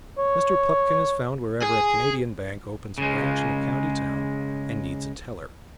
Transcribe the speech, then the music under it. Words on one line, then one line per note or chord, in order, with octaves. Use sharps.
Mr. Pupkin is found whenever a Canadian bank opens a branch in a county town and needs a teller.
C#5
G#4
C#3 G#3